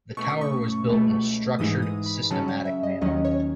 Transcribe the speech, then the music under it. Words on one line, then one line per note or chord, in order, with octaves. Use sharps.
The tower was built in a structured, systematic manner.
B2 A3 C#4 C#6
D#6
C#6
C#2 B2 A3
G#2 E3 G#3 D#4 D#6
D#6
B5
C#3 F#3 C#4 A5
F#5
E5
D#5
D#2 D#3 F#3 C#4 D#5
C#5